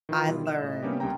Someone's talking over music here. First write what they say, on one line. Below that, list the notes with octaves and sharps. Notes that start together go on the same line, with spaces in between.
I learned,
D#3 E3 F4
B2 G3 E4
D#5 F#6 E7
A2 D#5
G3 A#3 B3 C#4 D4 G4
C2 G4 G5 A#5